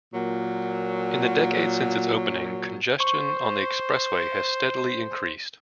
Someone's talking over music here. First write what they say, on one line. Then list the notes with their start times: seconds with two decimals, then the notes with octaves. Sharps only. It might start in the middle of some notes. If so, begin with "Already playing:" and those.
In the decades since its opening, congestion on the expressway has steadily increased.
0.14 A#2 F#3
3.00 C5 C#6